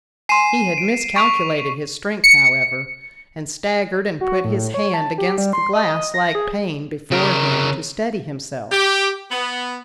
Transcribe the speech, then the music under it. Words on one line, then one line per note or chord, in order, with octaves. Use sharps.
He had miscalculated his strength, however, and staggered and put his hand against the glass like pane before him to steady himself.
G#5 C6 C7 D#7 E7
D7
C#6 B6 D7 F7
C#7
F#4
A2
C#5
A5
G4
G3
C6
D#5
A#6
G#4
C#3 A#4
G4
B3